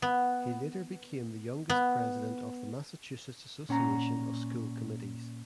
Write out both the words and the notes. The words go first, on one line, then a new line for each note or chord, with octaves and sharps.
He later became the youngest president of the Massachusetts Association of School Committees.
B3
B3
A#2 C#4 F#5 A#5